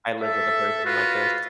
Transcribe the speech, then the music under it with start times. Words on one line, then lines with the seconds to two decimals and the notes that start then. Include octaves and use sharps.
I live with a person like this.
0.22 A4 E5
0.85 F4 F#4 B4